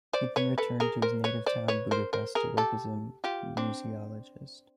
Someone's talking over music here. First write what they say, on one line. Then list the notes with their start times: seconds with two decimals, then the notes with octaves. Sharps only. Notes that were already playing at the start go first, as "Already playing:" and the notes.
He then returned to his native town Budapest to work as a museologist.
0.13 C5 D5
0.36 B4 C#5
0.58 A4 B4
0.80 G#4 A#4
1.02 A#4 C5
1.24 B4 C#5
1.46 C5 D5
1.68 B4 C#5
1.91 A#4 C5
2.13 A#4 C5
2.35 G#4 A#4
2.57 G4 A4
3.24 F4 G4
3.57 C4 D4